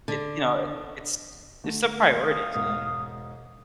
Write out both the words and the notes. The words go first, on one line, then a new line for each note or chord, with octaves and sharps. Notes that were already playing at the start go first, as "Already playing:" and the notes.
it, you know, it's it's the priorities and
D3
D3 A3
F5 D#6
E1 G#2